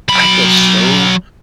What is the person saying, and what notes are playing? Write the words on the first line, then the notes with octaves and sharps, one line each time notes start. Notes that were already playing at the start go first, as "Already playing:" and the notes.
I feel so
F#3 B5